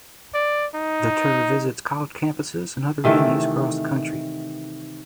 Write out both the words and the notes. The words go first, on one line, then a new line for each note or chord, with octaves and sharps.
The tour visits college campuses and other venues across the country.
D5
D#4
C3 D#3 E3 A3